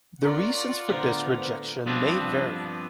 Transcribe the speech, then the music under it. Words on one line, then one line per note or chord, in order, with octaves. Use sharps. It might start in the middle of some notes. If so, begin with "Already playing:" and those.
The reasons for this rejection may vary.
C#4 F4 A#4 D5 F#5
A2 D3 B3 A#4 C5 F5
G2 F3 B3 C4 D4